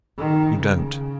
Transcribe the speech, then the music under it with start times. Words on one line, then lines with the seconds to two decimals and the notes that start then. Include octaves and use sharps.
You don't.
0.19 D#3
0.57 C#3